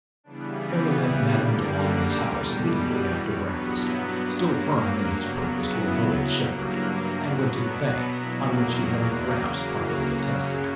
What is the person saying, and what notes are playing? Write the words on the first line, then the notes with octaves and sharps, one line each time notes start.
Harry left Madame Delaunay's house immediately after breakfast, still firm in his purpose to avoid Shepard, and went to the bank, on which he held drafts properly attested.
C#3 E3 G3 B3 D4
E4
F#2 D3 G3 A#3 D4
F#4
E2 B2 G3 B4
B4
G2 F#3 B3 C#5
E4
G2 F#3 A#3 D4
C#4
C#3 F#3 B3 D4
E4
G2 F#3 A#3
E4
B2 F#3 B3 D4
D4
E2 B2 F#3 A#3 E4
C#3 F#3 A#3 D5
E4
F#2 C#3 F#3 C#4